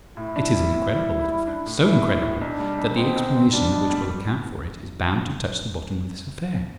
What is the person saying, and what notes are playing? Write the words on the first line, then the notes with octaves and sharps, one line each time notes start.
It is an incredible little fact, so incredible that the explanation which will account for it is bound to touch the bottom of this affair.
A2 E4
D4
G3
A2
G3
G3
G3
D4
A2
E3 E4
E3
A2
B1 D4
G3
B1
B2 C4
B1
B1
G3 D4
B2
G3